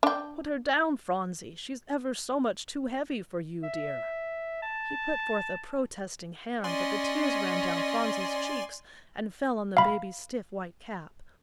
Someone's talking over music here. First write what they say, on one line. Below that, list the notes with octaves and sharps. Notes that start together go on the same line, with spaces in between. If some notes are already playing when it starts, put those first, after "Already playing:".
"Put her down, Phronsie; she's ever so much too heavy for you, dear." He put forth a protesting hand, but the tears ran down Phronsie's cheeks and fell on the baby's stiff white cap.
D4 G5
E5
A5
C#4 D5 D#5 G#5 C6
F5 B5